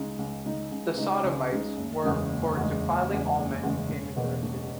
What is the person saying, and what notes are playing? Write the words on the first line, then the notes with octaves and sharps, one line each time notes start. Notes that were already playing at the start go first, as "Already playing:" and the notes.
The Sodomites were for defiling all men who came into their city.
Already playing: C#2 C#3 G#3 D#4
C#2
C#3 G#3 D#4
C#2
C#3 G#3 D#4
C#2
C#3 G#3 D#4
F#1
E2 C#3 G#3
F#1
E2 C#3 G#3
F#1
E2 C#3 G#3
F#1
E2 C#3 G#3
E1
E2 B2 A#3
E1